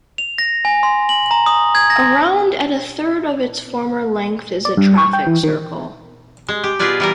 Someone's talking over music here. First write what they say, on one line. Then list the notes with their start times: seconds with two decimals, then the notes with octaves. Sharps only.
Around at a third of its former length is a traffic circle.
0.18 F7
0.38 A#6
0.65 G#5
0.83 C6
1.09 F#7
1.31 A#5
1.46 D#6
1.75 G#6
1.90 A#6
4.65 D5
4.77 G2
4.98 C#6
5.13 G5
5.27 E3
5.44 D#3
6.48 G#3
6.64 G4
6.79 B2 F4 G#4 B4 D5
7.00 E3 G3 A#4